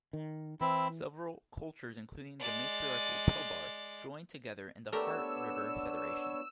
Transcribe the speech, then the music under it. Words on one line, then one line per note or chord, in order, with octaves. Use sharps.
Several cultures, including the matriarchal Pelbar, join together in the Heart River Federation.
D#3
E3 C4 E4
G#3 D5
A3 B3 D4 G4 A#4 C#5 E6